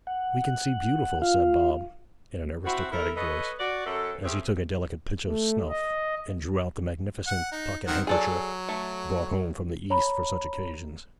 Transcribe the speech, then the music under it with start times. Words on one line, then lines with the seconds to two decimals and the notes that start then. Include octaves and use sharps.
'We can see beautifully,' said Bob, in an aristocratic voice, as he took a delicate pinch of snuff, and drew out the magnificent pocket-handkerchief brought home from the East for such occasions.
0.07 F#5
1.22 F4 F5
2.64 C4 E4 F#4
2.91 E4 A4 A#4
3.16 A4 B4 C#5 D#5
3.59 F#4 D5
3.85 F#2 C#4 A4
4.23 A3 C4 C#4 G4 G#4
5.25 A3
5.70 D#5
7.27 F#5
7.52 D#4
7.87 D#3 C4 F#5
8.07 F#3 G#4 A4 D5
8.69 A3
9.90 C#5 A#5 B5